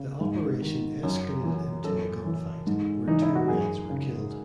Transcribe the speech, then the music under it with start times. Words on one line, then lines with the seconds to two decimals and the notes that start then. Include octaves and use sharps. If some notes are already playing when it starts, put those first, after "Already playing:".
The operation escalated into a gunfight where two Reds were killed.
Already playing: C#3
0.21 G#2
0.61 D#3
1.03 F#2
1.43 E3
1.84 F#2 A4
2.25 E3
2.67 G#2
3.07 E3 D#4
3.22 E4
3.35 F#4
3.48 F#2 G#4
3.90 C#3